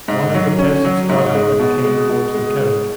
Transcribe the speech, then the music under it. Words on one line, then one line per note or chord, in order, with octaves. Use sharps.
One of the peasants got up and came towards the carriage.
G#2
F#3
C#4
F#3
G#2
G#3
B2
G#3
B2
G#3
G#3